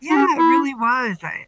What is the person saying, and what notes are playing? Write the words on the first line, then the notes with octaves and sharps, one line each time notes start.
Yeah, it really was. I
D#4
C#4
E4